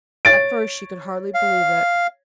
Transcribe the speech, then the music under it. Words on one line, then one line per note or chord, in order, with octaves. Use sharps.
At first she could hardly believe it.
C#5 A6 D7
F5